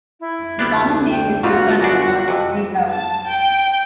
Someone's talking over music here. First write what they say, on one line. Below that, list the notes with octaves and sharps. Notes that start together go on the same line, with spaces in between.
The common name is "zingana" or zebrawood.
E4
D2 G3 B3 D4
G5
G1 G#2 C#3 G3 F4 F#4
F#2 D4
F2 C3
A5
G5